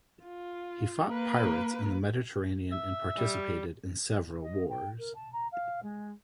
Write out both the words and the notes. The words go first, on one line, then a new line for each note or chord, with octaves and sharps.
He fought pirates in the Mediterranean and participated in several wars.
F4
A#3 B4
E5
G3
D#5
G5
A#4
A5
A#5
F5
G#3